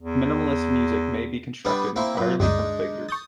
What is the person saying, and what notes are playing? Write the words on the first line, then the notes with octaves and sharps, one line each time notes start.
Minimalist music may be constructed entirely from figures.
E2
G3 B3 D4
A#3 C4 E4
F#2 A#2 B4
D2 G2 G#3 D4 D#4
C#6 D#6 G6 A6